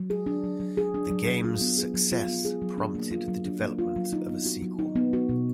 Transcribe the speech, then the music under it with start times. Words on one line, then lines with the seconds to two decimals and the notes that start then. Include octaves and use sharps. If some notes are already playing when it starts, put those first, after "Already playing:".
The games success prompted the development of a sequel.
Already playing: F#3
0.10 G#4
0.26 D4
0.44 F#3
0.60 F#3
0.77 G#4
0.94 D4
1.10 F#3
1.27 F#3
1.44 F4
1.61 B3
1.78 G#4
1.94 F#3
2.12 F4
2.28 B3
2.45 G#4
2.62 F#3
2.78 D4
2.95 A#3
3.11 F4
3.28 F#3
3.46 D4
3.62 A#3
3.79 F4
3.96 F#3
4.13 D#4
4.29 B3
4.46 F#4
4.62 F#3
4.79 D#4
4.96 B3
5.13 F#4
5.29 B2